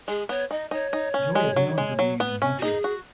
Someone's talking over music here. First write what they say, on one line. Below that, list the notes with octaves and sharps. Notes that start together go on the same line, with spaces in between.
Joy is known for being an inventor.
G#3 G#4
B3 C#5
D#4 D#5
D#4 C#5
D#4
C#4
G#3
F#3
G#3
F#3
B3
C#4
F#4
D#4 G#4
F#4